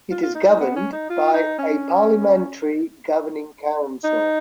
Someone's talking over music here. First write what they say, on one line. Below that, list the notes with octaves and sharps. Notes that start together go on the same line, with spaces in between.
It is governed by a parliamentary governing council.
F4
F4
D#4
D#4
B3
C#4
D#4
F4
D#4
C#4
D#4